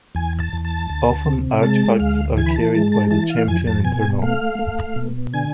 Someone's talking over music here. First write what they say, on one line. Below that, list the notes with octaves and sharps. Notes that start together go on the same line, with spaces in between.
Often artifacts are carried by the Champion Eternal.
E2 G#5
A5
E2
A5
D2
C3
G#3 A5
D2 F5
E3 G#5
B5
A5
G#3 A5
A5
E3 A5
F5
F2 G#5
A5
B2 G#5
A3 F5
A3
B2
D3 G#5